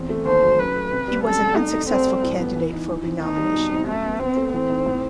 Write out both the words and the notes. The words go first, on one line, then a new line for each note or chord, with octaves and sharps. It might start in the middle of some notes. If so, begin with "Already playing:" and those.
He was an unsuccessful candidate for renomination.
Already playing: E2 C4
A3
D#2 C5
F#3
F#2 B4
A3
C3
G3
F#2 A4
A3
C2 D#4
A3
C2 C4
G3
A2
B3
E3
D#4
E3
C4
D#2 D#4
G3
B2
C4
F#2 A3
B3
C3 C4
A3
E3 C4
D#4
A2